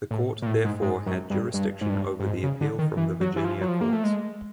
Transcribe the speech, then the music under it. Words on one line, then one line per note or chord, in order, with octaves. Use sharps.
The Court therefore had jurisdiction over the appeal from the Virginia courts.
A2
A#2
A2
G#2
G#2
F#2
G2
G2
G#2
G2
G2
G#2
C#3
D3
D#3
E3
F#3
E3
F3
F#3
F3
A#3
A3
G#3